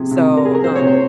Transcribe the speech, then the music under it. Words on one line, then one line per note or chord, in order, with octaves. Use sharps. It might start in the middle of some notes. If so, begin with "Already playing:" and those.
So, um,
Already playing: C3 F3 G#4
C3
C3
A#4
C3 G#4
A#4
F3 C5
C#5
C3
C5